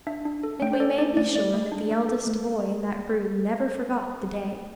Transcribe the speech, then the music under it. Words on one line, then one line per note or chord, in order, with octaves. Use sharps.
And we may be sure that the eldest boy in that brood never forgot the day.
D4 E5
D4
A4
A3 G5
C5
A4 D5
D4 D5
A3 D5
A3 D5
A3
D4
A3
A4
A3